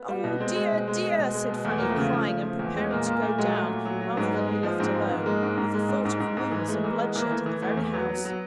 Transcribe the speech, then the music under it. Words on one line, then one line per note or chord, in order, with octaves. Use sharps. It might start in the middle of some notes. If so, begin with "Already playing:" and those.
'Oh, dear, dear!' said Fanny, crying, and preparing to go down rather than be left alone, with the thought of wounds and bloodshed in the very house.
Already playing: B3
G3
B2
G#3 C4
G#3
B2
G#3
G#3
B2
G#3
B2
E2 A3
F3 A#3
A3
C#3
F3
C#3
F3
E2
G#3
A#2 A#3
A#2 A#3
A#2 A3
F#3 G#3
F#3 A3
A#2
F#3
F#3
G#2 B3
G#3
G#3
F3
G#2 C4
F3
B3
G#2
G#3 A#3
G#2
G#2
G#3
G#2
G#2
G#2
G#2
E3
G#3 A3
E3 A#3
G#3 B3
E3 A#3
E3 A3
E3
E2 A3
E2
F#3 B3
F#3
F#3